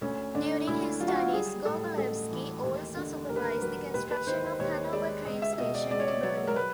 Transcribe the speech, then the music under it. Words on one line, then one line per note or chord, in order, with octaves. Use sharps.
During his studies, Gorgolewski also supervised the construction of Hanover Train Station in Berlin.
D2 C#4
D3 D4
D2 E4
F#3 F4
F#4
F4
G3 G#4
A2 A4
A1 A4
E3
D#2
D3
D#2 A#4
B4
A#4
F#3 B4
D#2 B4
B4
D#3 C5
C5
D#2 C#5
G#3 D5
C#2 D#5
E5
E5
B2 D#5
D5
C#2 D5
C#5
D5
F#3 C#5
A#4
B4